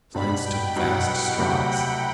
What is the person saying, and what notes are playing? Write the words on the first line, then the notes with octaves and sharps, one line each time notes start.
Science took vast strides.
B2 G3 D4 B5
G5
C2 B2 F#3 F#5
D2 C3 F#3